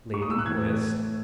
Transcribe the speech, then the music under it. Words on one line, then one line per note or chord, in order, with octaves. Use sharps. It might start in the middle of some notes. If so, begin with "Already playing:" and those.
Lady this.
C#6
D#6
E6
F#6
A2 E3 G#6